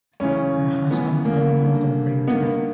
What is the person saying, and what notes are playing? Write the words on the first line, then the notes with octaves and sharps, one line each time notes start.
Her husband found out and raped her.
F#2 C#3 E3 C#4
F#2 C#3 E3 B3
A#3
G2 D3
B3
G2 D#3 A#3